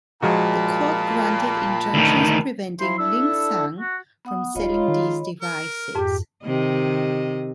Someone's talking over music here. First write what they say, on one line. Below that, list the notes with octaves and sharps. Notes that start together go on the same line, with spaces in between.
The court granted injunctions preventing Lik-Sang from selling these devices.
A#2 F3 G#3 F#4 A5 B5
D2 D#3
F3 E4 C6
D4 E4 A4 E6
F#4
B3 F#5 D#6
D#1 G#3 D#4 F4 C#5 D#5 B5
D#3
A#4
F2 G#2 G4
C3 D#3 D#5